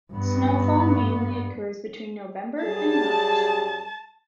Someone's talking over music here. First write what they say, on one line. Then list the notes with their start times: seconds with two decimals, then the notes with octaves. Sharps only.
Snowfall mainly occurs between November and March.
0.13 G2 B3
2.64 F#2 G3 G#4 A5